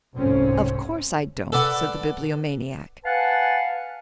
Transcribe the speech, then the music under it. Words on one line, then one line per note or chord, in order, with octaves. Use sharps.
"Of course I don't," said the Bibliomaniac.
F1 C2 F2 G#2 C4 C#4
A4 B4 D5 F#5
B4 F5 F#5 G#5 A5